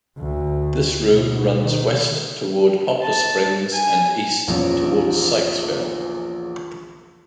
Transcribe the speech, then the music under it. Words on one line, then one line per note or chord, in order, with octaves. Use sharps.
This road runs west toward Poplar Springs and east toward Sykesville.
D2
B2
D#3
A5
G#5
A#1 E2 C#4